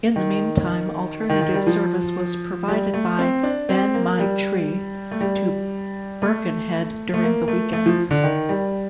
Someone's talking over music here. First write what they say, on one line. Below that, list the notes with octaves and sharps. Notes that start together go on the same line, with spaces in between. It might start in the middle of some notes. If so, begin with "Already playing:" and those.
In the meantime alternative service was provided by "Ben-my-Chree" to Birkenhead during the weekends.
D#3
D#3
D#3
G3
F3
G3
A3
C4
D4
C4
A#3
G3
A3
G3
A3
A3
A#3
A3
A3
F3
D3
D#3
G3